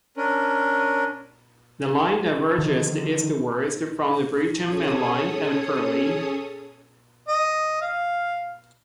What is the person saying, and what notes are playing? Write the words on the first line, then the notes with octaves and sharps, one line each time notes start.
The line diverges eastwards from the Brighton Main Line at Purley.
C#4 D4 A#4
D3 D#3 F3
C#4 G#4 A4 C#5 D#6
D#5
F5